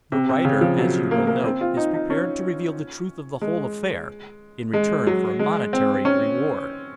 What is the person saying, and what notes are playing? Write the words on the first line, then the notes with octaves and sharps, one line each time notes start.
The writer, as you will note, is prepared to reveal the truth of the whole affair in return for a monetary reward.
C3
C3
C#3
F3
F#3
A#3
A#3
C4
F4
D#4
D#4
C#4
G#3
G#3
F#3
G#3
C4
C#4